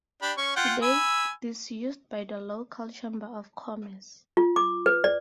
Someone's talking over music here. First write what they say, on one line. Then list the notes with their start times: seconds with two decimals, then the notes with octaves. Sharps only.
Today it is used by the local chamber of commerce.
0.22 D4 G4 B5
0.38 C#4 C#6
0.56 F4 F#5 G5
0.82 G#5 B5 E6
4.37 F4
4.56 D6
4.86 B4
5.04 D5